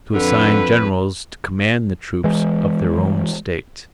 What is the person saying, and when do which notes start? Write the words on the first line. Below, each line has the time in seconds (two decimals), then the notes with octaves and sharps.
To assign generals to command the troops of their own State.
0.14 F2 D3 B4
2.24 E3 G#3